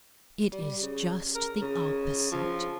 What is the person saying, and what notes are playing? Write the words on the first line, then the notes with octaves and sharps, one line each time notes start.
It is just the opposite.
G3
C#3
A#4
C#3
F3